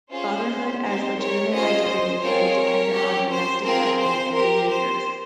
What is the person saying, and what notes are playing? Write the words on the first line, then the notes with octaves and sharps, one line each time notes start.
Fatherhood as legitimate identity can be dependent on domestic factors and behaviors.
C#4 F4 G#4 C5
C4 D#4 G4 C5
A#4 C#5
C#4 F4 G#4 C5 D#5
C5
C4 F4 G#4 A#4 C#5
C#4 G4
C5
C4 F4 G#4 A#4
C5
C4 G4 A#4
C5